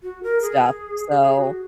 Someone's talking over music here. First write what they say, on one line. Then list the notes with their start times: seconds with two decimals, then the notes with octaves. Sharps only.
stuff so,
0.03 F#4
0.23 A#4
0.42 G#4
1.20 G#4
1.38 F#4